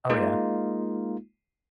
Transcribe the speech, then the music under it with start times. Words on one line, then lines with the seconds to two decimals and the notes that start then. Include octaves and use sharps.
Oh, yeah.
0.10 G#3 A#3 D#4 F4